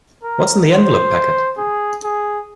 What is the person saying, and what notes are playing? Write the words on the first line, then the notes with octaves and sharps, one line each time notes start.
What's in the envelope packet?
A#4
C5
G#4
G#4